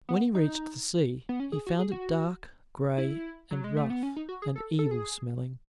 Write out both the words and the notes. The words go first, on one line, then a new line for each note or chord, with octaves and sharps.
When he reached the sea, he found it dark, gray, and rough, and evil-smelling.
B3
D#4
B3
C#4
G#4
F#4
G#4
F#4
E4
F#3
G#3
A3
B3
C#4
D#4
F#4
G#4
A4
A4
G#4